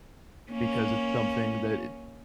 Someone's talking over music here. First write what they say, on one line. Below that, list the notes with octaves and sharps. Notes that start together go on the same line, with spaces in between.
because it's something that
A#3 C#4